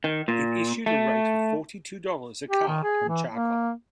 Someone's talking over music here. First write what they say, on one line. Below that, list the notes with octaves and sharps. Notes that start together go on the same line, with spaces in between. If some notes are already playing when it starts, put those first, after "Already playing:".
It issued a rate of forty two dollars a car on charcoal.
D#3
A#2
A3
G4
D#3
G#4
E3
A#3